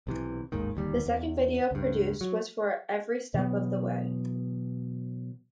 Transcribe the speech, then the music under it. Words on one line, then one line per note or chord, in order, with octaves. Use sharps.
The second video produced was for "Every Step of the Way".
B1 C3 E3
A1 D#2 G#2 D#3
D1 D#2 G3
E2
C#2 G2
F#3
B2 E3 F#3 B3